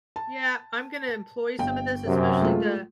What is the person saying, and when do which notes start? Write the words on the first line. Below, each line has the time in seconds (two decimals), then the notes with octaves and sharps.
Yeah, I'm gonna employ some of this, especially the
0.16 A5
1.59 G1 G5
2.06 F#2 C3
2.41 G#3 A3 F4